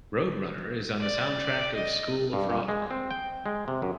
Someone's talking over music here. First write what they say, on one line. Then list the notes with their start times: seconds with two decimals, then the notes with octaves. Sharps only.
"Roadrunner" is on the soundtrack of "School of Rock".
1.01 D5
1.74 D#5
2.33 G2
2.50 A#2
2.68 G#3
2.91 C4
3.11 G5
3.46 G#3
3.68 C3
3.82 F#2